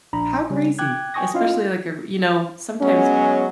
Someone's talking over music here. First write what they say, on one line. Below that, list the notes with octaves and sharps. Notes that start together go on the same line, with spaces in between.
how crazy? Especially, like, a you know, sometimes,
A#1 D4 A#5 B5
C#3 G3 C#4
G5 D6 F#6 G#6
G5 G#5 C#6 D#6 A#6
C#4 E4 F4 D#5 F5
F#3 G#3 B3 C#4